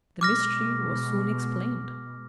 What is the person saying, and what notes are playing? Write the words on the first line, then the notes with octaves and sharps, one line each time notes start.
The mystery was soon explained.
B2 G#3 D6 F6 A#6